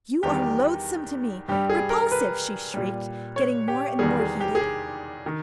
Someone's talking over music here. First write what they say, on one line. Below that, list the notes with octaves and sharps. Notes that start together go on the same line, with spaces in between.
"You are loathsome to me, repulsive!" she shrieked, getting more and more heated.
E2 D#3 G3 G4
G2 G3 G4
G#4
A#4
B4
A#2 G3
C#5
G4
E2 D#3 G3 G#4
G#4
G4
G#4
G4
D#3